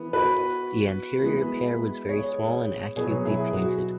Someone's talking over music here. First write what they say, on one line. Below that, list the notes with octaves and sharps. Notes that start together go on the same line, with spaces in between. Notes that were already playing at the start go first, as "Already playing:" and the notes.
The anterior pair was very small and acutely pointed.
Already playing: E3 B3
F#4 B4
E3 G#3 B3
G#4 C#5
B2 F#3 B3 G#4 C#5
E4 G#4
F#4